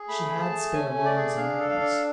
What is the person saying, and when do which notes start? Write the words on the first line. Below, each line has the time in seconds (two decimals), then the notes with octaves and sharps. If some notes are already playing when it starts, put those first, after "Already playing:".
She had spare rooms in her house.
Already playing: G#4
0.08 A3 B5
0.30 G#4
0.41 A5
0.52 A3
0.73 C#4 G#5
0.94 A3
1.05 D5
1.16 G#4
1.37 D4 F5
1.59 A4
1.69 F5
1.80 D4